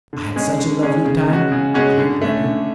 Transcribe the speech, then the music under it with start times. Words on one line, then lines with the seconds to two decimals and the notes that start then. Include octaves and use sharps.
"I had such a lovely time," declared Nettie.
0.13 D3
0.36 G#3 C#4 G#4
0.59 D3
0.82 G#3 C#4 G#4
1.05 C#3
1.28 G#3 C#4 F#4
1.52 C#3
1.74 G#3 C#4 F#4
1.98 D3
2.21 A3 C#4
2.44 D3